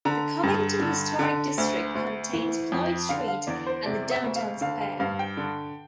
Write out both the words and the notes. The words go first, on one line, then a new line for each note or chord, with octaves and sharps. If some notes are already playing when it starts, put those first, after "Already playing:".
The Covington Historic District contains Floyd Street and the downtown square.
D3 A#5
G2
D3
D3
D2
D2
E3
F2
D3 F5
F5
E2 D5
C5
C3 D5
E5
D2
F5
D3 F5
F5
G2 F5
G5
D3